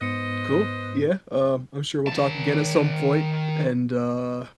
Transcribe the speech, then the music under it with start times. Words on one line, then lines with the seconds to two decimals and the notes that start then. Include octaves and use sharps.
Cool. Yeah. Um, I'm sure we'll talk again at some point, and, uh,
0.01 G#2 B3 B4 C5 D#5 C#7
2.07 D#3 A5